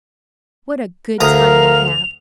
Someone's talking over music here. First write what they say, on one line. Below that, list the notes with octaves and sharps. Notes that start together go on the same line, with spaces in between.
What a good time we'll have!
D2 A#4 F5 A#5 D#6 F7